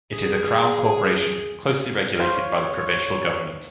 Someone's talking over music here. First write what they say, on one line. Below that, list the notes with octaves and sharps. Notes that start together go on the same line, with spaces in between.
It is a Crown corporation closely regulated by the Provincial government.
G#4
F4 C5 C#5